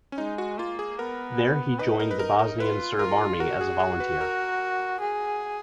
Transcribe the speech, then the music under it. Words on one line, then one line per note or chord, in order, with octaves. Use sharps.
There he joined the Bosnian Serb Army as a volunteer.
C#4
G#3 D#4
F#4
A#3 F4
G#4
B3 A#4
D#4 B4
A#4
B4
A#4
A#4
F4 B4
F4 A#4
F#4 A#4
G#4
G#4
B4
A#4
G#4